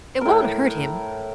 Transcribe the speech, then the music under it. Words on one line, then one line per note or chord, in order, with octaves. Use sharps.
"It won't hurt him."
A2 A#4